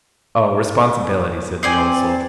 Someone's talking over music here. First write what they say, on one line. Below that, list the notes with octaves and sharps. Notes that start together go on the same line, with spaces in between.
Responsibility!' said the Old Soldier.
C4 C5 D5 G#5